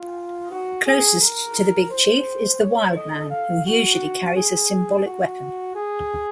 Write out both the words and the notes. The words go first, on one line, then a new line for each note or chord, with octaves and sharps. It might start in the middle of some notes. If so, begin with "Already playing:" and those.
Closest to the "Big Chief" is the "Wildman" who usually carries a symbolic weapon.
Already playing: F4
F#4
G#4
A#4
C5
C#5
D#5
F5
F#4
G#4
F#4
G#4